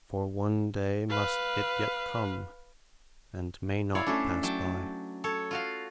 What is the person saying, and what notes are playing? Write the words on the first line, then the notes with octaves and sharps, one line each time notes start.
For one day must it yet come, and may not pass by.
B4 F5
E4 C#5 D5 F5
A3 C#4 D4 A4 C5
F#3 G5 A5
A4 C#5
F4 F#4 F5